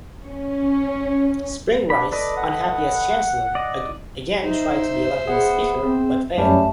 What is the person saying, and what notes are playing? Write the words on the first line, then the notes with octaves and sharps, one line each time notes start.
Spring Rice, unhappy as Chancellor, again tried to be elected as Speaker, but failed.
C#4
D4 B5
A4 B4 D5 D#5
F#5
D5 D#5
D#4 C5 E5
B3 G#4 F#5
C4
F#2 G3 A3 C#4 A5